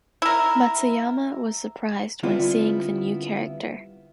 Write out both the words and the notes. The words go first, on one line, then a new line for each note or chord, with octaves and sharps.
Matsuyama was surprised when seeing the new character.
E4 A#4
D3 G3 B3 C4 E4 F4